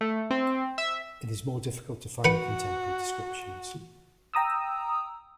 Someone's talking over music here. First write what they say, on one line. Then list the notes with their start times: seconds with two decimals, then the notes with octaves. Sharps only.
It is more difficult to find contemporary descriptions.
0.01 A3
0.30 C4
0.78 E5
2.25 F#4 B4 F#5
4.34 G5 A#5 D#6 E6